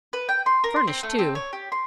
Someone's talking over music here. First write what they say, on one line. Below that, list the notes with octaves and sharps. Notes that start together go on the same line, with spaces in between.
Furnished, too.
B4
G5
C6
A#4
C6
C4
A3
C4
C#5
G4
C6